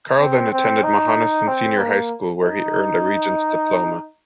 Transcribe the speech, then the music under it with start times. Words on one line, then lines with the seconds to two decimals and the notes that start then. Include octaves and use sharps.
Carl then attended Mohonasen Senior High School where he earned a Regents diploma.
0.20 C4
0.52 C4
0.83 D#4
1.48 C4
1.79 A#3
2.42 D#4